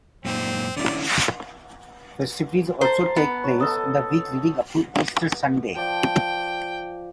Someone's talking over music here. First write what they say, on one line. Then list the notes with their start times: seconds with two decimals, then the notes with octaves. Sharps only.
Festivities also take place in the week leading up to Easter Sunday.
0.25 F#2 A#2 C4 D#4
0.77 D3 C#4 E4 D5
2.81 C5 A5 A#5
3.16 B3
3.44 C#5
3.59 A4 D#5 A5
5.76 F3 D5 G5